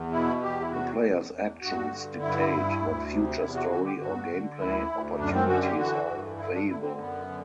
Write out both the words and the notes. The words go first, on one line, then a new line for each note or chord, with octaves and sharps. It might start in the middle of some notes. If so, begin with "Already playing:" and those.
The player's actions dictate what future story or gameplay opportunities are available.
Already playing: E2
B2 E4
E2 G4
E4
C3 F#4
E2
E2
G2 F#4
D3
G2 E4
G2
D2
C3
E2 E4
F#4
D3 F#4
G4
G2 F#4
D3
D2 E4
D2
F#2 D4
C4
D3 F#4
G4
E3 F#4
G2
D3 E4
D4
D3 E4
C4
F#2 B3
D3